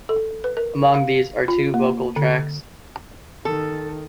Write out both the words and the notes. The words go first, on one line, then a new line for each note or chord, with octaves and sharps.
Among these are two vocal tracks.
A4
B4
A#4
F5
F4
A#3
D3
D#3 A4